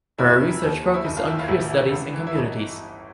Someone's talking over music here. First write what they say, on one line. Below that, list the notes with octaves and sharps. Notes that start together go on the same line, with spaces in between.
Her research focuses on Queer studies and communities.
F1 E4
D#3
D#2
D#2
E4
F#1 D#4
F4
D#3 E4
F4
A1 E4
E3
C#2
E3
E4
G1 D#4